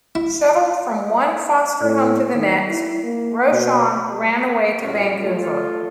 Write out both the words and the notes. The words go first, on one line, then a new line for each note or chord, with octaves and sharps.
Shuttled from one foster home to the next, Rochon ran away to Vancouver.
E4
A2
D#3
E4
A#3
B2
A#2 E3 G#3 C#4 F4 F#4
A3 F4